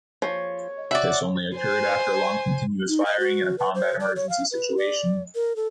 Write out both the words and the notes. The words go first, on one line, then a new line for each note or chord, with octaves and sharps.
This only occurred after long continuous firing in a combat emergency situation.
F3 C#5 C#6
F#4 D5 E5
C5 G#5
D#4
D#5
F#4
B4
C5
D5
C#5
F5
B4
D5
A#4
A4